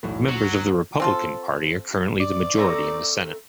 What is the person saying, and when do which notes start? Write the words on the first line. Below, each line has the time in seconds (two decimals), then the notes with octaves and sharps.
Members of the Republican Party are currently the majority in the Senate.
0.03 B1 E2 A2
0.28 D2 F#3
1.00 C4 F4 A4
2.20 D5
2.57 A3 C4 A#5